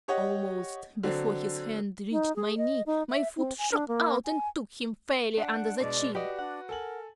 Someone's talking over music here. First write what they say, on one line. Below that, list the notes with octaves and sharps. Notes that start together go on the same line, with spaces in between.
Almost before his hand reached my knee, my foot shot out and took him fairly under the chin.
G4 C#5 D#5 F#5
D3 F#3 C4
D#4
G#4
D#5
D#4
E5
C4
G#5
D4
A#3
G#5
D4 F#5
B2 G#3 D5
F#4 G4 B4 D5 D#5
D4 F#5
A4 A#4 G#5 F#7